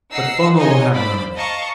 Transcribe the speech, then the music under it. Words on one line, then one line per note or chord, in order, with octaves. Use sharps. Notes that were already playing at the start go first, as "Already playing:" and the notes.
But Foma will have none of it.
D#4 F#5 E6 C7
D#4 F#4 C#5 D#5 G#5 C6
C5 D5 B5
D#5 F5 A5 A#5 C#6